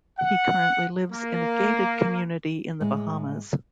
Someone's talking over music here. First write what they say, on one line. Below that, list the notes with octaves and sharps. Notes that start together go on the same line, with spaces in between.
He currently lives in a gated community in the Bahamas.
F#5
A#3
A2 G#3